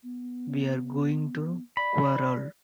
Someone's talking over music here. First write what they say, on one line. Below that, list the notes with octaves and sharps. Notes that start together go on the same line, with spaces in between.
We’re going to Querol.
B3
D5 B5